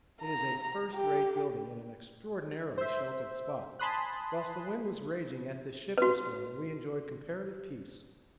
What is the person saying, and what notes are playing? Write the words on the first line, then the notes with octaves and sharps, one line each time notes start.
It is a first-rate building in an extraordinarily sheltered spot; whilst the wind was raging at the ship this morning we enjoyed comparative peace.
A#5
G4
C5 E5
G#5 A5 B5 C6 D#6 F#6
F#4 B4